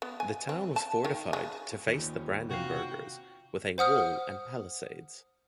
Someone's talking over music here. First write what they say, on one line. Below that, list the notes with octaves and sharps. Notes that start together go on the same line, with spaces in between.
The town was fortified to face the Brandenburgers, with a wall and palisades.
B3
G#5
C4
A5
D#3
G#3
D#2 D#4 F4 C#5
C3 F#4 F5 G5
C5 F#5 D#6 F6